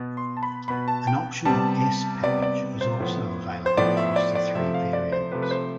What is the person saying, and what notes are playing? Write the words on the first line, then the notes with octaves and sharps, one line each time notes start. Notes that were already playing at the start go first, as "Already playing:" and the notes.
An optional S Package is also available across the three variants.
Already playing: B2 B3
C6
A5
B5
B2 B3 B5
A5
G5
C3 G3 B3 A5
C3 G3 B3 D5
D5
C5
A2 F3 B3
C5
A2 F3 B3 D5
E5
D5
D5
C3 F3 A3 E5
F5
D5
C5
C3 F3 A3 B4
B4
C5